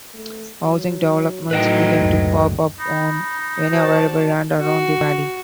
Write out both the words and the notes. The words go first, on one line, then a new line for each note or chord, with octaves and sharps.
Housing developments began to pop up on any available land around the Valley.
A3
F#3
A2 F#3 D#4 B4 D#5 G5
F#1 C#2 D3
D#4 B5
F#4 C5 D5 A5
F#4